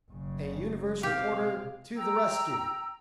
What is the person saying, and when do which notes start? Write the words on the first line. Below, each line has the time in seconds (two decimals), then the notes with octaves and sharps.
A 'Universe' Reporter To the Rescue!
0.11 F#1 C#3
1.03 C3 G4 F5
1.96 G5 A#5 E6